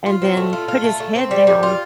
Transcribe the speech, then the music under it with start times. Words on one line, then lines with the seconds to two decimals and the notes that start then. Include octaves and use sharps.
and then put his head down
0.06 F4
0.22 C4
0.37 A3
0.53 F4
0.68 F4
0.84 A3
1.00 A3
1.16 C4
1.31 G3
1.47 G3
1.63 F4